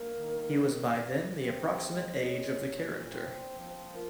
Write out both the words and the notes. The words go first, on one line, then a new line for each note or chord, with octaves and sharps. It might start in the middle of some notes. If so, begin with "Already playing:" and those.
He was by then the approximate age of the character.
Already playing: A#3 A#4
D#3
C3
C3
C4 C5
G#3
A#2 C#5
A#2
C4 C5
F3
F4 A#4